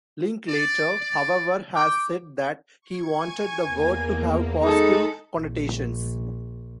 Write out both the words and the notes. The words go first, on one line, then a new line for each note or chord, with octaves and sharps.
Linklater, however, has said that he wanted the word to have positive connotations.
D5
D5
G5 D6
C#6 G#6
G#5
E2 A#3
G#3 D#4 A4 A5 B5
A#1